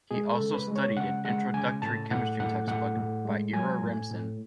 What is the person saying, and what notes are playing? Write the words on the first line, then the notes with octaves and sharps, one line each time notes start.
He also studied an introductory chemistry textbook by Ira Remsen.
G#3 G#4
A4
C#3
B4
G#3
C#5
C#3 F#5
G#3 F#5
C#3 G#5
A2 A5
A2 F#5
A2 F#5
A2 F#5
A2
G#3
F#3 G#5
A2
A2